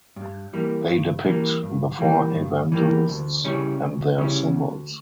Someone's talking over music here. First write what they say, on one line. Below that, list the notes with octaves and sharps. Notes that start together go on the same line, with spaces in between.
They depict the Four Evangelists and their symbols.
G2
E3 G3 A#3
G2
E3 G3 A#3
G2
E3 G3 A#3
G2
E3 G3 A#3
D2
C#3 G3 C#4 E4
D2
C#3 G3 C#4 E4
D2